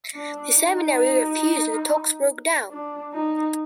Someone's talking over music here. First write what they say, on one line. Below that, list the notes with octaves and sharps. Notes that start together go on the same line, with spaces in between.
The seminary refused and talks broke down.
D4
D#4
D4
D#4